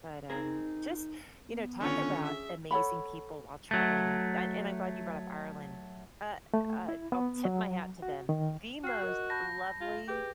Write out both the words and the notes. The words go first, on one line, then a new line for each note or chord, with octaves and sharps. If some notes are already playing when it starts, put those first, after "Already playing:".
But, um, just, you know, talk about amazing people while traveling. I and I'm glad you brought up Ireland. Uh, uh, I'll tip my hat to them. The most lovely,
C4 D#4 G#4 A#4
B3
D3 D#3 C#4 F4 C#5
G#4 E5
A4 C#5 F#5 B5
F#3 A3
A3
E4
B3
F#3
F#4
D#3
F#4 G5 F6 C7
A#4 D#5
A5 B5 G6 A#6
F4
G4 G#4 B4